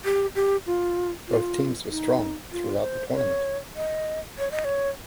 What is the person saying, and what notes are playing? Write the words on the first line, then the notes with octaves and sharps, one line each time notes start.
Both teams were strong throughout the tournament.
G4
G4
F4
F4
D#4
F4
C5
C#5
D#5
C#5
D#5
C#5